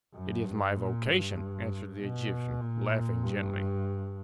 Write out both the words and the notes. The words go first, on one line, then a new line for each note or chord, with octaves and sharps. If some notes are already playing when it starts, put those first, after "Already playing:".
'It is my vocation,' answered the Egyptian, laughing gently.
F#2
G2
A#2
G2
B2
A#2
G2